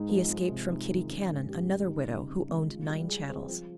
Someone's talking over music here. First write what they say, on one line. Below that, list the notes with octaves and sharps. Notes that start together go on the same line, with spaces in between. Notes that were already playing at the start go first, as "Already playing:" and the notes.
He escaped from Kitty Cannon, another widow, who owned nine chattels.
Already playing: G#2 G#3 D#4
F3
G#3
C3
D#4
D#3
C#4
G#2
G4
G3
D#4
C#3
C#3
G#3
F4
G3
G#4
C4
F3